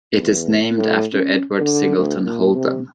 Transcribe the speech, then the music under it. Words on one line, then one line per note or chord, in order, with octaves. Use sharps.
It is named after Edward Singleton Holden.
E2
A2
C#4
D3
D2
A#2
C3